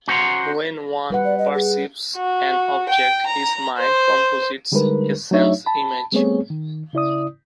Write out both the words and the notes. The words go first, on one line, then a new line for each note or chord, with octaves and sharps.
When one perceives an object, his mind composites a sense-image.
C#4 F#4 C5 F#5 A#5 C6
G3 B4 F#5
D5
D#5
G#4
F#4
G5
A#5
C5
D3 G3 G#3 D#4 A#4 B4
F#3 A3 D4 D#4 C#5 E5
A5 B5
G3 A3 B3 C4 G#4 C#5
D#3
C#3 E4 D5 D#6